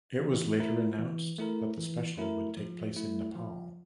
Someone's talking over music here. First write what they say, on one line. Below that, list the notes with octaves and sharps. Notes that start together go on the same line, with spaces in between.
It was later announced that the special would take place in Nepal.
E3
A3 E4 A#4
E3
A3 E4 A#4
E3
A3 E4 A#4
F3
A3 E4
F3